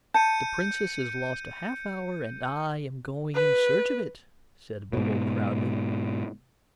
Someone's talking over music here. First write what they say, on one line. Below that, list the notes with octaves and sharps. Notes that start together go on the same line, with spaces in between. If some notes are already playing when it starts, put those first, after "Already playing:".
"The Princess has lost a half-hour and I am going in search of it," said Bobo, proudly.
A5 G6 C#7 D#7
B4
G#2 B2